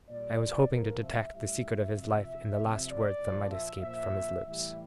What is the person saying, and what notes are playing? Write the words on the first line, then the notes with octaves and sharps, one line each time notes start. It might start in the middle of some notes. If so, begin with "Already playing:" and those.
I was hoping to detect the secret of his life in the last words that might escape from his lips!
A#2 G3 D5
C3 F3 A#4
E5
A2 G3 E5
C3 F3 E5
C3 F3
D5
A#2 F3
E5
A#2 F3 E5
A2 E3 G3 E5